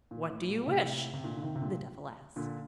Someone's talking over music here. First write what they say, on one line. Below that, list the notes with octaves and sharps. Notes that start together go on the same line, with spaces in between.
"What do you wish?" the devil asked.
A#2
A2
A#2
A2 C3
C3
A#2 D3
D3
C3 D#3
C3
A#2 D3
A#2 D3